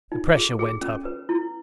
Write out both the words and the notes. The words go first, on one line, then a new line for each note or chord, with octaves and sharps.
The pressure went up.
D#4
G#4
G#4
C#4
B4
E4